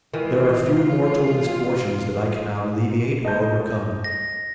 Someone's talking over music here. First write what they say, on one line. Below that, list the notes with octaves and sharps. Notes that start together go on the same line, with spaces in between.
There are few mortal misfortunes that I cannot alleviate or overcome.
D#3 E3 G#3 F4
D#5 A5 G6
A#6